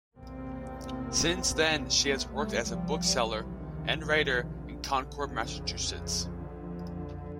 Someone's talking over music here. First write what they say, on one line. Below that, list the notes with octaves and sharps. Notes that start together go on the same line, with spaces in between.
Since then she has worked as a bookseller and writer in Concord, Massachusetts.
E2 C3 A#3 C4
A3 B3
G3 A3
D2 C3 F3 G3
E3 F#3
D#3 F3
D3
F2 C#3
C#3
D3